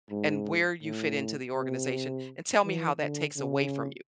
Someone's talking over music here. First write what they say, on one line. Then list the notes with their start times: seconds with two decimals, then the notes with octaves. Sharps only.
and where you fit into the organization, and tell me how that takes away from you."
0.10 G#2
0.83 A2
1.55 C3
2.64 E3
3.00 D3
3.37 C#3